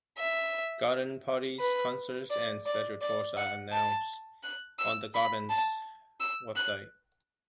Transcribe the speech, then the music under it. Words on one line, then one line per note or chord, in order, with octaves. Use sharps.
Garden parties, concerts, and special tours are announced on the garden's website.
E5
B4
D5
D5
D5
F#5
A5
F#6
E6
B5
A5
E6
F#6